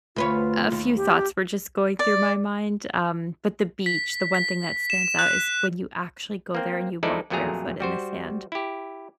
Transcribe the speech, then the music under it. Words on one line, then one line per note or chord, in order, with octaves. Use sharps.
a few thoughts were just going through my mind. Um, but the beach, the one thing that stands out is when you actually go there, and you walk barefoot in the sand,
D2 F4 B4 C#5
D#2
G4
D5
B6
B6
E7
F#6
A#3 C4
F3 G#3 D#4 E4 A4 D5
F2 A#2 F#3 A3 G#4 A#5
G3 F#4 C5
E4 G4